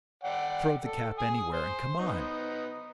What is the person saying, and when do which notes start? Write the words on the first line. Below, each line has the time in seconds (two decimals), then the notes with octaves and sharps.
"Throw the cap anywhere and come on!"
0.23 D5 F#5 G5
0.85 A4
1.18 G#5 D#6
1.52 C5
1.99 B3 D#4